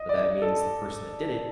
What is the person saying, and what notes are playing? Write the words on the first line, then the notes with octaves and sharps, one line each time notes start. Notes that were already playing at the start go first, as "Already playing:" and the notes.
but that means the person that did it
Already playing: D#5
D5
A4